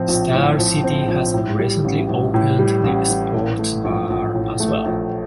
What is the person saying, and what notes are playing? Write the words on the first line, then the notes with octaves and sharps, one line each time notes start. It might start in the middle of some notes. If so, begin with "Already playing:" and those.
Star City has recently opened the sports bar as well.
Already playing: A2 F3 C4
A#1
A2
F3
C4
A#1
A2
G3
A1
A1
A2
G3
A1
A1
A2
A3
A#1
A#1
A2
A3
A#1